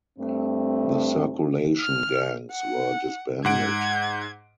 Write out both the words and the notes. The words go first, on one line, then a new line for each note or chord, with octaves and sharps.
The circulation gangs were disbanded.
G2 A3 C4
F6
F#5
G#2 F#5 G#6 D7